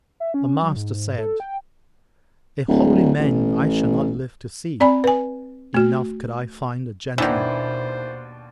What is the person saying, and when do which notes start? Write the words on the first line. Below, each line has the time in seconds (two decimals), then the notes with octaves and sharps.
The Master said, A holy man I shall not live to see; enough could I find a gentleman!
0.20 E5
0.34 C#4
0.63 F#3
0.76 G#2
1.18 A4
1.40 G5
2.68 D1
3.19 A1
4.80 C4 D5 G#5 B5
5.04 B4 G#5
5.74 A3 F#4
7.18 D#2 B2 D#3 E3 D4 C5 F#5